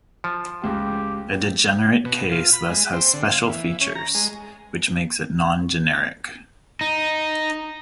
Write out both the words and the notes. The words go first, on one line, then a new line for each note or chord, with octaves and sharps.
A degenerate case thus has special features, which makes it non-generic.
F3
C#2 G4
B2
F4
B5
G#3
C4
D3
F5
E3
C#4
A#5
G#3
D#4